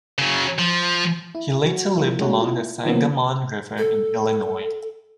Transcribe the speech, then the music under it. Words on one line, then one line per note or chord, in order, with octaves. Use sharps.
He later lived along the Sangamon River in Illinois.
C#3 F#3
F3
E4
F#3 F#4
F3 G3 A#3 E4 F4
G#3 A3 C#4 F#4
E4 F4
D#3 F3 F#3 A#3 B3 C#4
A4